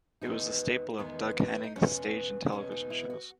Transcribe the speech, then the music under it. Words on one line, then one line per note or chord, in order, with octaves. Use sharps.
It was a staple of Doug Henning's stage and television shows.
E2 D#3 G#3 B3 D#4
E2 D#3 G#3 B3
F#4
E4
D#4
E2 B2 G#3 B3 C#4
E2 B2 G#3 B3 C#4
D#4
E4
F#4